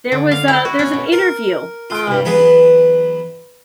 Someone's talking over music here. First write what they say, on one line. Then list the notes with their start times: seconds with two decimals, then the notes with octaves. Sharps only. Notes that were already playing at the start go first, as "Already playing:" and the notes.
there was a there's an interview, um,
0.12 D3
0.31 F5
0.48 E4
0.65 F#4
0.79 C#4
0.93 B2
1.12 A#4
1.90 F4 G5
2.07 C2 G2
2.25 E3 F#3 B3 G#4 B4